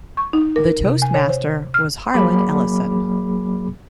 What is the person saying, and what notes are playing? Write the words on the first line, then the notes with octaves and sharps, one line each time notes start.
The Toastmaster was Harlan Ellison.
C#6
D#4
A#4
C3
G#5
C#5
C5
F6
F#3 A#3 G#4 B5 D6